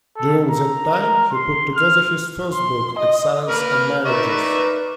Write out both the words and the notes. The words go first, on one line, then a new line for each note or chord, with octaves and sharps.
During that time, he put together his first book, "Exiles and Marriages".
A4
A#5
A#4
C6
F6
C6
D#5
A#3 A#4 B4 F6
D#4 A#4 B4 D5 E5 C#6